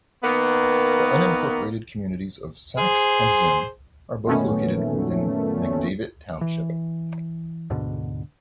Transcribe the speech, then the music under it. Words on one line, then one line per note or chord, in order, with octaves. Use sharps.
The unincorporated communities of Sax and Zim are both located within McDavitt Township.
D#3 A#3 B3
G#4 C5
F#2 A#2 D#3 A3 B3 C#4
E3
D2 G#2 B2 D3